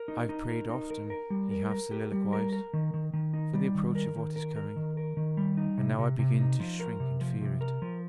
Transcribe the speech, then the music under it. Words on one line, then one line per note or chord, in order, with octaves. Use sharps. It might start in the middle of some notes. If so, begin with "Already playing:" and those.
'I've prayed often,' he half soliloquised, 'for the approach of what is coming; and now I begin to shrink, and fear it.
Already playing: A#4
D#4
D#4
A#4
D#4
A#4
A#4
G3
A#4
A#4
G4
G3
A#4
A#4
D#3
D#3
D#3
D#4
G3
D#3
A#4
D#3
A#4
A#4
D#3
A#4
D#3
G3
D#4
C3
C3
C3
D#4
F3
A#4
C3
F3
C3
A#4
F3